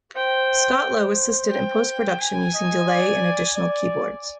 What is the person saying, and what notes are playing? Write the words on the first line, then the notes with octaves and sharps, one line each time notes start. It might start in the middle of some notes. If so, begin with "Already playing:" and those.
Scott Lowe assisted in post production using delay and additional keyboards.
C5 G5
C5
G5
G#5
D#5
D5
D5